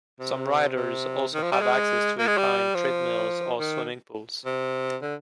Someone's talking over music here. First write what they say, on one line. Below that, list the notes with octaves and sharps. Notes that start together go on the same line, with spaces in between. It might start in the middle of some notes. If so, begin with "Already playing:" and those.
Some riders also have access to equine treadmills or swimming pools.
C3
C3
D#3
F3
G3
G#3
A#3
G#3
G3
F3
D#3
C3
D3